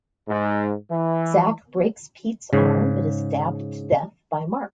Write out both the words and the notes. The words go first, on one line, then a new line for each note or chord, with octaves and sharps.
Zack breaks Pete's arm but is stabbed to death by Marc.
G#2
E3
G#2 C#3